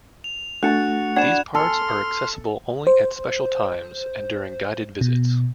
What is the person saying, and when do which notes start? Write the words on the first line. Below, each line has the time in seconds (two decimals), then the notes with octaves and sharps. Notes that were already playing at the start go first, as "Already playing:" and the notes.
These parts are accessible only at special times and during guided visits.
0.24 F7
0.63 A3 D4 F#4 A5 F#6 C#7
1.16 D4 F#5 G#5 B5 G#6 E7
1.55 A4 C6 F6
2.87 C5
5.01 B2